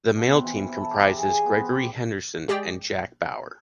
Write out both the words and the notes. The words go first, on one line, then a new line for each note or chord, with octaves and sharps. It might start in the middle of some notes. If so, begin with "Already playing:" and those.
The male team comprises Gregory Henderson and Jack Bauer.
B2
C4
E3
E4
A5
G4
A#5
G#4
G#5
B3
C4
G4
G#3 G4 G#4 D5 G5